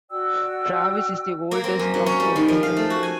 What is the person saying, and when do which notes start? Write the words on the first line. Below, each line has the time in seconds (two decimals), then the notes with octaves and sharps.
Travis is the oldest of four sisters.
0.10 F#4 D5 G5 E6
1.51 A#3
1.64 C4
1.79 F#2
1.94 F#3
2.06 C#4
2.20 G3
2.36 D#3
2.48 F3
2.63 F5
2.77 A3
2.90 F#4
3.03 G#5